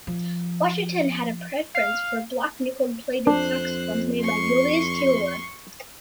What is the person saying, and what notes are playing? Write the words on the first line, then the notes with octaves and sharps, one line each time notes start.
Washington had a preference for black nickel-plated saxophones made by Julius Keilwerth.
F3
F5
F2 D4 C5 F#6
C6 C#6